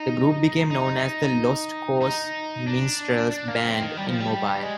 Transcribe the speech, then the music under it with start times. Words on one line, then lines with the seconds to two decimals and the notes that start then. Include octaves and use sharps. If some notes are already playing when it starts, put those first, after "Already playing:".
The group became known as the "Lost Cause Minstrels Band" in Mobile.
Already playing: D#4
0.71 D#4
2.02 D#4
2.67 D4
3.31 D4
3.48 A#3
3.64 C4
3.81 D#3
3.97 G3
4.08 F3
4.20 G3
4.63 G#3